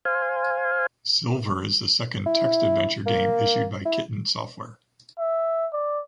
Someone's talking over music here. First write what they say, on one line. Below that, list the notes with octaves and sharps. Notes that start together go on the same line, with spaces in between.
Silver is the second text adventure game issued by Kitten Software.
C5 F5 G#5
E4
A#3
E4
E5
D5